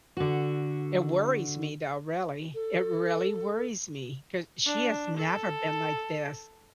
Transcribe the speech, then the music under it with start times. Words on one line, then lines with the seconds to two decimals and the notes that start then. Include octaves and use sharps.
It worries me though, really, it really worries me, 'cause she has never been like this.
0.17 D3 F#4
2.54 A4
4.66 D4
5.17 A4